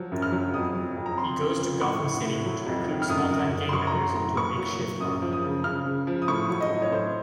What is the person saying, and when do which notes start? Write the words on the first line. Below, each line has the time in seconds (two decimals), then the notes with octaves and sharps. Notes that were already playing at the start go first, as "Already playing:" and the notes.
He goes to Gotham City to recruit small-time gang members into a makeshift "army".
Already playing: F3 F#3
0.12 F#2
0.22 F6
0.32 F#3
0.54 F2 D#6
0.75 F#3
0.96 F2
1.06 A#5
1.18 F3 C6
1.40 C#3
1.61 F3
1.81 A2 C#6
2.03 A2
2.24 A2
2.45 F#3
2.67 F2
2.88 D#3
3.02 F6
3.09 F#2 D#6
3.31 F#2
3.51 F#2
3.69 C6
3.72 F#3 C#6
3.87 A#5
3.94 F#3 C6
4.15 A2 A#5
4.36 A#2 C#6
4.57 F#3
4.79 F#3
5.00 F#2 D#6
5.22 F3
5.33 D#6
5.43 C#3
5.64 C#3 F6
5.85 C#3
6.07 F3
6.22 D#6
6.28 A2 C#6
6.50 F#3
6.61 D#5
6.70 A2
6.82 C#5
6.92 A2 C5